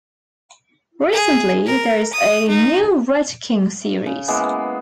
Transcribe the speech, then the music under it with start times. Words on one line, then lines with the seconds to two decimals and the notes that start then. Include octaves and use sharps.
Recently there is a new "Red King" series.
1.13 G#4
1.66 A#4
2.13 D#6
2.48 D#4
4.06 C#3
4.28 E3 G#3 A#3 B3